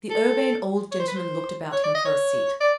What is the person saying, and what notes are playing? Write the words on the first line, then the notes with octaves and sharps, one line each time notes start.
The Urbane Old Gentleman looked about him for a seat.
A4
C#5
C5
B4
C5
C#5
D5
D#5
C#5
D5